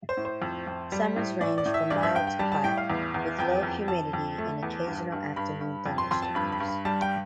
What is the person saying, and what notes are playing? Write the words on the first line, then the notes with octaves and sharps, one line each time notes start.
Summers range from mild to hot, with low humidity and occasional afternoon thunderstorms.
C5
A2
C5
F2
F2
G3
A2
A2 D5
D5
A2
E5
G2 D5
E5
G2 G5
G5
G3 A5
A5
A2 G5
F5
E2
E2
F2 G5
F2
F2 A5
F2
A3
E2
G2
G2
G2 B5
G2
F2
C6
F2 C6
A5
G2 B5
B5
G2
B5
G3 A5
G5